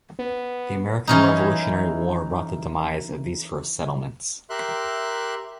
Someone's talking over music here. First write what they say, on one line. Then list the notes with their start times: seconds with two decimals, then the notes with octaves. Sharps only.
The American Revolutionary War brought the demise of these first settlements.
0.19 B3
1.07 E3 C#4 D#4
4.50 G4 A#4 E5 C6 F#6